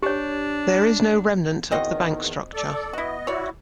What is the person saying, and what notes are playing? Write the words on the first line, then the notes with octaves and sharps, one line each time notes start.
There is no remnant of the bank structure.
D4 G4 C#5
E2 D#3 C4 F#4 D#5
A4 D5
B3 E4 F#4 D#5
E4 F#4 C#5 D5